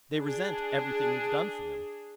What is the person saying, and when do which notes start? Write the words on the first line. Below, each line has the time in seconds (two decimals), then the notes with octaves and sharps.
"They resent everything we've done for them."
0.17 D4 G#4